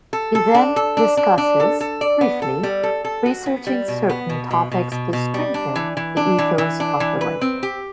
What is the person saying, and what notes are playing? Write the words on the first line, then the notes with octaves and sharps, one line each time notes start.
He then discusses, briefly, researching certain topics to strengthen the ethos of the writer.
A4
A4
D4
A4
D4
D4
D4
A4
A4
D5
B3
A4
G3
A4
A4
F#4
B3
G3
B2
B3
B2
B2
B2
B2
B2
G3
D4
E3
E3
D4
E3
E3
D4
E3
B4
C4
G4